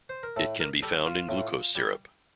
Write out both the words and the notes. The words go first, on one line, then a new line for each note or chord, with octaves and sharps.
It can be found in glucose syrup.
C5
A#4
A2 A4
A#4
G3 A4
F4
A2
G3